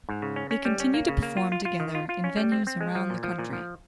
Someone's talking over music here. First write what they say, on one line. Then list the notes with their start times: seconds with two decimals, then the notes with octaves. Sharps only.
They continue to perform together in venues around the country.
0.09 G#2
0.22 C#3
0.36 C#4
0.51 C#4
0.65 G3
0.80 C#4
0.94 A#3
1.08 C#3
1.23 A#3
1.37 F4
1.52 F4
1.65 F4
1.80 D#3
1.95 F4
2.09 F4
2.24 C#4
2.37 G3
2.52 C4
2.67 C4
2.81 G#3
2.95 F3
3.10 A#2
3.23 F3
3.39 A#2
3.53 F3